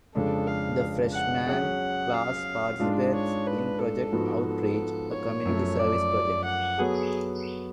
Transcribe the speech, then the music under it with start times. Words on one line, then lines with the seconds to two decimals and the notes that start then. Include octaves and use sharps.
The freshman class participates in Project Outreach, a community service project.
0.14 F2 C#3 G#3 D4 A4
0.47 F5
1.14 F#5
1.47 F#3 C#4 G#4 F#5
2.13 F5
2.79 G#2 G#3 D4 F4
3.13 C#5
3.46 B4
3.79 A4
4.12 G#2 F3 B3 F#4
4.46 A4
5.12 C#5
5.46 F#2 F3 A3
5.79 D5
6.44 F#5
6.78 F#3 B3 F#4 G#4 A4